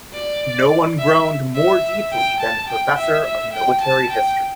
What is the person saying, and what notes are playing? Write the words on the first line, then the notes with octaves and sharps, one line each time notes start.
No one groaned more deeply than the professor of military history.
D5
E5
E5
G5
A5
G5
E5
E5
G5
A5
G5